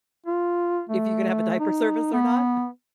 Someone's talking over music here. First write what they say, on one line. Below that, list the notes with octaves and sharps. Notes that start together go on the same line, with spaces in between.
If you could have a diaper service or not?
F4
A3
D#4
B3